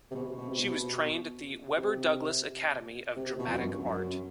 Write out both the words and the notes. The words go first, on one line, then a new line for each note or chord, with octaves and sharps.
She was trained at the Webber Douglas Academy of Dramatic Art.
C3
B2
B2
C3
B2
C3
C3
B2
F2
F#2
G2
F#2